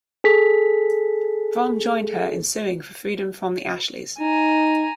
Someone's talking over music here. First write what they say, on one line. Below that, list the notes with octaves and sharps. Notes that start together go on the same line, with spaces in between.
Brom joined her in suing for freedom from the Ashleys.
G#4 A4 B6
D#4 G#5 A#5